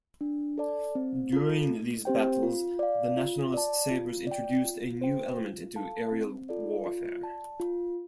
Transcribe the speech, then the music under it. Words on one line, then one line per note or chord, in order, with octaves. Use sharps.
During these battles, the Nationalist Sabres introduced a new element into aerial warfare.
D4
A4 D5 A5
C4
F4 A4
A3
C4 G4 C5 G5
F4
D5 F5
F4
D5 A5
F4
D5 G5
F4
C5 G5
F4
A4 F5 A5
C4
F4 A4 D5
F4
D5 A5
F4